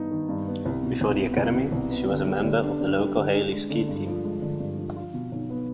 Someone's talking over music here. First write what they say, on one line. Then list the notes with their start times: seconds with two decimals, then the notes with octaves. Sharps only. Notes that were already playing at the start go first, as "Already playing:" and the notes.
Before the academy, she was a member of the local Hailey Ski Team.
Already playing: G2 D#3 B3 D#4
0.11 D#3
0.29 G2
0.47 B3
0.65 C2
0.83 B2
1.01 C2
1.19 B3
1.37 C2
1.55 B2
1.72 C2
1.91 B3
2.09 D3
2.27 G3
2.44 D3
2.63 D4
2.81 D3
2.98 G3
3.16 D3
3.34 D4
3.52 G#3
3.70 D3
3.88 G2
4.06 F3
4.24 G#3
4.42 D3
4.60 G2
4.77 F3
4.96 F4
5.14 B2
5.32 B1
5.50 B3